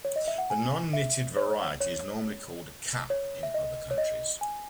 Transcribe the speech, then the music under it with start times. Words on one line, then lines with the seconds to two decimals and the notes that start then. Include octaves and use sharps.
The non-knitted variety is normally called a "cap" in other countries.
0.05 C#5
0.16 D#5
0.28 E5
0.38 F#5
0.50 G#5
0.93 E5
1.37 C#5
1.80 C#5
3.10 C#5
3.43 E5
3.54 D#5
3.91 C#5
3.98 D#5
4.41 G#5